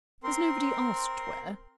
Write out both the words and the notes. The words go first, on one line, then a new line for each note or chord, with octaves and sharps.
"Has nobody asked where?"
C4 A#4 C6